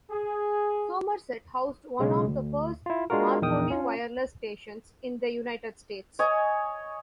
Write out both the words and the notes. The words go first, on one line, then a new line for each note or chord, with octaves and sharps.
Somerset housed one of the first Marconi Wireless Stations in the United States.
G#4
B1 C#3 G#3
D2
E4 F4
G#3 D4 F4 F#4 A#4
A#1 E2 D#4 A#4 G5 D#6
C#4 F4
C#5 D#5 G#5